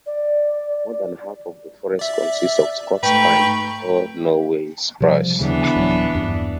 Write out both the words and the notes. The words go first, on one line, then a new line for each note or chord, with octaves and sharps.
More than half of the forests consist of Scots pine or Norway spruce.
D5
D5 E5
G#2 A3 B4 G5 A#5 C#6
C3 F3 G3
D#2 C#3 E3 F#3 B3 D4
D1 F#3
E2 G2